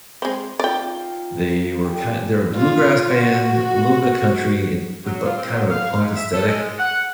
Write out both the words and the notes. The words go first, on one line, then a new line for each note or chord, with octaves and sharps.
they were kind they're a bluegrass band, little bit country and with bu kind of a punk aesthetic.
G#3 C4 C5 D#5
C4 D#4 F4 D5 G5
G4 G#4 G5
F4
F#4
F#3
F4
C4
F#3
F5
G#2
E5
A4
G#3
F#5